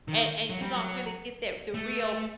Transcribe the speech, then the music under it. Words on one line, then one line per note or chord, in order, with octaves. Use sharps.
and and you don't really get that the real
D#3
F#3
G3
F#3
A3